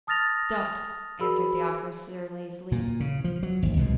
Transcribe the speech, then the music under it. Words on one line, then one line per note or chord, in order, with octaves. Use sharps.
"Don't," answered the officer lazily.
A5 D#6 F6 A6 A#6 F7
F#4 G#4 A#4 D5 B5 E6
A#2
C#3
F3
F#3
G#1 D#2
C2 B2 E3 G#3